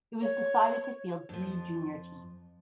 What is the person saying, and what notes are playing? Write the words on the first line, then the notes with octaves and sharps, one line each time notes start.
It was decided to field three junior teams.
C#5
F2 F3